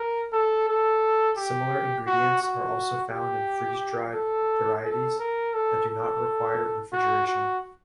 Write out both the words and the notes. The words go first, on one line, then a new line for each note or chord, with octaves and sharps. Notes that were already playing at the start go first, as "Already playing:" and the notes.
Similar ingredients are also found in freeze dried varieties that do not require refrigeration.
Already playing: A#4
A4
A4
G4
F#4
F#4
G4
A4
A4
A#4
A4
A4
F#4
F#4